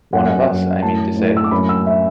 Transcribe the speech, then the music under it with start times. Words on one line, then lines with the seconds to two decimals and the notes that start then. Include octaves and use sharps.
One of us, I mean to say.
0.13 F#2 F#5
0.48 F#2
0.82 A2 A5
1.17 A2
1.37 E6
1.44 D6
1.51 F#2 B5
1.69 E6
1.86 E5